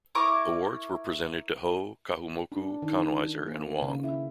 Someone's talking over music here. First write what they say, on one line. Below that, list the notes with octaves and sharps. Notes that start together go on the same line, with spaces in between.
Awards were presented to Ho, Kahumoku, Konwiser and Wong.
E4 A#4 C#6 D6
D4
D#3
A#3
C#3
E4